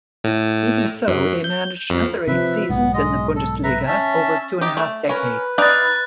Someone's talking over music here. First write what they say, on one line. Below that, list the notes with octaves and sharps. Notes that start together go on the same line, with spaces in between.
Even so, they managed another eight seasons in the Bundesliga over two-and-half decades.
A2
F#2
G6
F2
C3 E3 F3 B4 E5
B1 G#2 B3
G#3 D#5
A4
B4 E5 A#5
C#4 E5 A5
D#4 G4
A3
C#4 A#4 B4
D#4 D5 F5 F#6 A6